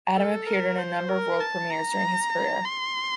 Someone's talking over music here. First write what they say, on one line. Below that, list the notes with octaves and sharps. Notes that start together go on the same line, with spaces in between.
Adam appeared in a number of world premieres during his career.
A4
A#4
C5
A#4
A5
A#5
C6